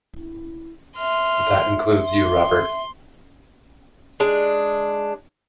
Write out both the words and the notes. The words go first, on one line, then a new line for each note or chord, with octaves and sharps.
That includes you, Robert.
E4
E5 C6 F6
C6
G#3 D4